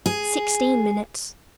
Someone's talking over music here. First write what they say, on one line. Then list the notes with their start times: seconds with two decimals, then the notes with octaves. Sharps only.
Sixteen minutes.
0.06 G#4